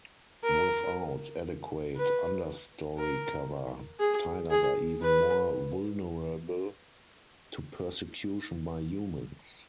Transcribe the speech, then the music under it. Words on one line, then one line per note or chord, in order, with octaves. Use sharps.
Without adequate understory cover, tigers are even more vulnerable to persecution by humans.
A#4
B4
A#4
G#4
G#4
B4